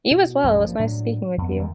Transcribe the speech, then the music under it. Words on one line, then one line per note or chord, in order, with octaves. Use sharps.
You as well. It was nice speaking with you.
B2
A#1 F#2 C3 G3
F3 A#3
A2 F#3 D4
F2 B3
E2 D#3